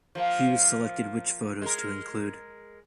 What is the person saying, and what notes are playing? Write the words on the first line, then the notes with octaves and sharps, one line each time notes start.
Hughes selected which photos to include.
F3 A#3
G#3 A#4